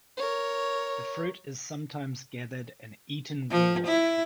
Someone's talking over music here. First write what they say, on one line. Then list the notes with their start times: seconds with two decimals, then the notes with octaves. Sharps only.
The fruit is sometimes gathered and eaten raw.
0.17 A#4 C#5
3.51 F3
3.87 E4